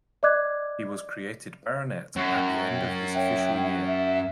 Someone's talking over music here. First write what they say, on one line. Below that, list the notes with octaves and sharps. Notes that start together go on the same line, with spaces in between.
He was created Baronet at the end of his official year.
D5 D#5 D6 F#6 G#6
F#2
G5
C#5 E5 G5
E5